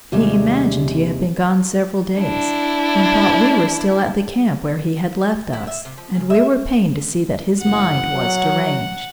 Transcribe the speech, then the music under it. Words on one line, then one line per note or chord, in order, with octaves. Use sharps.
He imagined he had been gone several days, and thought we were still at the camp where he had left us; and we were pained to see that his mind was deranged.
D#2 C3 G3 G#3 E5
D4 E4
E4
E5
C3
F3
C#3
E5
F#1 F#5
F#3